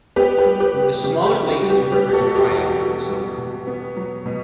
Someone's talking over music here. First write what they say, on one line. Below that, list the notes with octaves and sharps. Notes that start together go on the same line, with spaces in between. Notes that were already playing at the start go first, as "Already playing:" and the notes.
The smaller lakes and rivers dry up in the summer.
B3 G4 B4
G4 B4
G3
G4 B4
C#3
G4
C#3 G4
G4
B3
F#4
G3
G4
G3 G4 B4
G4
F#4 A4
B2
F#4
G4
E2
F#4
E2
G3
B2
B3
F#3
B2